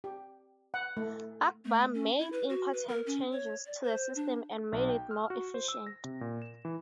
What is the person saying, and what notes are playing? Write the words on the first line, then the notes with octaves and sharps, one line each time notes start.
Akbar made important changes to the system and made it more efficient.
G4
F#5
A3
A3
C#4
E4
B4
F#4
B4
A#4
C#4
C#5
D5
C5
D4
B1
G5
F6
F#4
C5
E6
A#6
C3
A#2
E7
E3